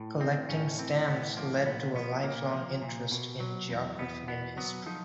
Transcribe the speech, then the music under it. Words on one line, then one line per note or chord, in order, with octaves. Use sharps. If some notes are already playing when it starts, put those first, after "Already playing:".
Collecting stamps led to a lifelong interest in geography and history.
Already playing: A2
E3 C4
A2 C#4
E3 C4
A2 B3
F3 A#3
A#2 B3
F3 B3
A#2 A#3
F3
A#2
B2
F#3
E2
E2 B3
B2 B3
F#3 B3
F3 D#4